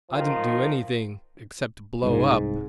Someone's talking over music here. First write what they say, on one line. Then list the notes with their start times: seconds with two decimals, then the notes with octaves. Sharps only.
"I didn't do anything--except blow up."
0.11 D#3 F3
2.03 C2 G#2